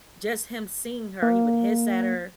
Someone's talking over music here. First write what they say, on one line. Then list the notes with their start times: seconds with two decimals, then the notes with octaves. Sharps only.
Just him seeing her, he would hiss at her,
1.23 A#3